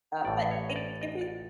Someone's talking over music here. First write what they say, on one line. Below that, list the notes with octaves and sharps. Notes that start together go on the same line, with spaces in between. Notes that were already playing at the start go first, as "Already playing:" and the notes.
uh, but it if we
A1 A2 E3 D5
C#5
D#5
D5
D#5
D5